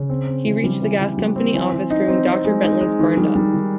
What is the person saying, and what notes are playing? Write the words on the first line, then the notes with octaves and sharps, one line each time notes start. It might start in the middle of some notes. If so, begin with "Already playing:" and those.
He reached the gas company office screaming Doctor Bentley's burned up!
Already playing: C#3
C4
C4
E3
G3
E3
E3
G3
C4
E3
E3
D#4
C4
C4
G#3
D#4
G#3
D#3
G3
G3
D#3